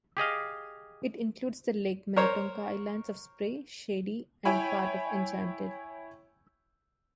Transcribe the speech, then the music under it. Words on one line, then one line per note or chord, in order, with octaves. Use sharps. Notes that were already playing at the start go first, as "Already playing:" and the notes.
It includes the Lake Minnetonka islands of Spray, Shady, and part of Enchanted.
G4 G#4 D#5 F5
A#4 C5 C#5
E4 C#5 G5 G#5 B5